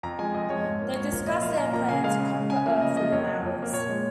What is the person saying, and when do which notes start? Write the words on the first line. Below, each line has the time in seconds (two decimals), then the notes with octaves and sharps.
They discuss their plan to conquer Earth within hours.
0.03 F2 A#5
0.19 F3 G#3 G#5
0.34 F2 D#5
0.49 F3 G#3 C#5
0.65 G#2
0.81 F3 A#3
0.96 G#2 C#5
1.11 F3 A#3
1.26 A#2 D#5
1.42 F3 A#3 F5
1.57 A#2 A#5
1.73 F3 A#3 A#5
1.89 C#3 G#5
2.04 G#3 F5
2.20 C#3
2.34 G#3
2.50 C#3 G#5
2.66 F3 A#3
2.81 C#3 D#5
2.97 F3 A#3 D#5
3.12 F2 C#5
3.28 F3 A#3
3.42 F2
3.58 F3 A#3
3.73 A#2 C#5
3.89 G#3